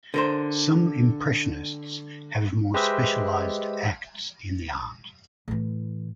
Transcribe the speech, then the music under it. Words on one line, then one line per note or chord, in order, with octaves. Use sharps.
Some impressionists have more specialized acts in the art.
D3 A#4 C5
G#3 G4 B4 C5 D#5 E5
A2 E3